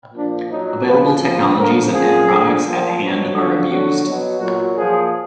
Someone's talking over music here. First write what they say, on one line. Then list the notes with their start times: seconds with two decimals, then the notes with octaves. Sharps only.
Available technologies and end products at hand are abused.
0.13 A#2 F3 D4
0.49 A#2 F#3 D#4
0.85 A#2 F3 B4
1.20 A#2 F3
1.56 D3 F3 A#4
1.91 A#2 F3 G#4
2.27 D3 F3
2.62 A#2 F3
2.98 B2 F#3
3.33 D3 F3 F#4
3.69 D3 F#3 F#4
4.05 B2 F#3
4.40 A#2 F#3 F#4
4.75 A#2 F3 G#4